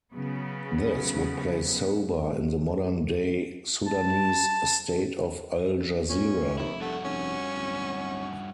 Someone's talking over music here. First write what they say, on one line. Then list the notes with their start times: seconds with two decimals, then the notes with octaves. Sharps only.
This would place Soba in the modern-day Sudanese state of Al Jazirah.
0.13 C#3 F#3 B3
3.88 A5
6.09 A#2 C#4
6.58 F1 D#2 E4
6.80 G2 A3 F#4
7.05 F1 C#4
7.55 D1